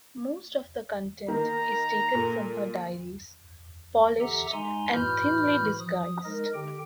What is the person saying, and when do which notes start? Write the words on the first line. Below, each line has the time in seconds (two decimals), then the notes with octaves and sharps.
Most of the content is taken from her diaries, polished and thinly disguised.
1.28 D#3 A#3 A#5
2.14 A#2 A4
4.20 G4 A4 E5 F#5 A#5
4.53 G#3 D#4 G#5 A#5 C6
4.92 A2 E3 F#4 B5 F6 G6
5.79 F3 D#6
6.25 G#3 D#4 A#4 D#5
6.54 D3 G4 G5